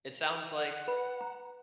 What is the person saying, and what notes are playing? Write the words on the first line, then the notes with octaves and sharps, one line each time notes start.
it sounds, like,
F#5
B4 B5
A#5